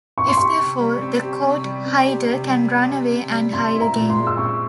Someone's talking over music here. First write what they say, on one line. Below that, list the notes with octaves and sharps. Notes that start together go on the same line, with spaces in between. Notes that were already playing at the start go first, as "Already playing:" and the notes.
If they fall, the "caught" hider can run away and hide again.
C4 C#6
C6
G4 C#6
C3
G3
C4
G4
C3
G3
C4
G4
C3
G3
C4
G4
C3
G3
C4 C6
E4
A#5
A#2
C6
G#3
E6
C4 C#6